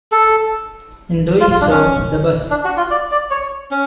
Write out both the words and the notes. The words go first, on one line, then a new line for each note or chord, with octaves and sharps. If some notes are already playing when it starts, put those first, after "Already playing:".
In doing so, the Bus.
A4
F4
F4
D4
C#4
D4
F#4
F4
D5
D5
C#5
C#4